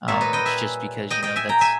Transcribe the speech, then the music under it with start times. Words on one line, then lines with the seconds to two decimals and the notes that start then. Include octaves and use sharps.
Um, it's just because, you know, that's
0.08 A#2 G3 A#3 C#5 E5
0.21 B4 D#5
0.33 D#5 G5
0.46 E5 G#5
1.10 D#5 G5
1.22 D#5 G5
1.36 E5 G#5
1.49 G5 A#5
1.61 E5 G#5